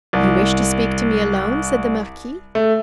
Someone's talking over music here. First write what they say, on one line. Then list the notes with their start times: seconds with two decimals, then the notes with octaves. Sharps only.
"You wish to speak to me alone?" said the marquis.
0.13 C2
2.55 A3